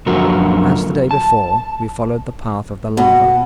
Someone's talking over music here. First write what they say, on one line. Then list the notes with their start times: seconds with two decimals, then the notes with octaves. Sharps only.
As the day before, we followed the path of the lava.
0.06 F#2 A#2 D3 F3 F#4 A#4
1.11 A5
2.97 B2